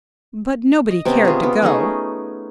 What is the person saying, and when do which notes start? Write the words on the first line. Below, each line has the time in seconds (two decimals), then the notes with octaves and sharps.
But nobody cared to go.
0.90 D#5
1.05 C3 B3 C#4
1.25 F4 G#4
1.43 B3
1.62 A3 C#4 D#4 G#4